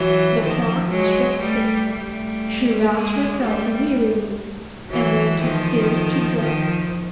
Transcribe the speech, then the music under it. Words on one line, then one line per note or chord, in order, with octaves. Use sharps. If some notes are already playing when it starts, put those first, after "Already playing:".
The clock struck six; she roused herself wearily and went upstairs to dress.
Already playing: E3 F#3
D#3 F3
F#3 G#3
G3 A3
G3 A3
G#3 A#3
G3 A3
E3 F#3
D#3 F3
D#3 F3